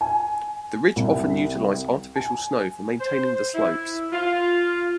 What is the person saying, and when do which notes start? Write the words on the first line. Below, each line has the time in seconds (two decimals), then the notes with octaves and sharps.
The Ridge often utilize artificial snow for maintaining the slopes.
0.01 G#5
0.96 C2
2.16 G#5
3.00 C5
3.55 E4
4.13 F4